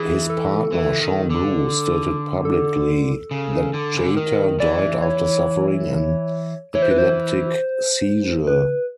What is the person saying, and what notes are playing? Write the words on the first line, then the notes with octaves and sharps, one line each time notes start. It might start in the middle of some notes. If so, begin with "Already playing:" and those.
His partner, Sean Blue, stated publicly that Jeter died after suffering an epileptic seizure.
Already playing: E3 G#4
A4
E3
D#3
D3
A4
C#3
D3
C#3
D3
D#3 A#4
E3 D5
C#5
E3 C#5
C5
B4
C5
B4